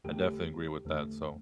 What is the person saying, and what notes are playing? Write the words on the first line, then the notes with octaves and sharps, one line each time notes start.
I definitely agree with that. So
E2 D3 A3 G4
E2 D3 A3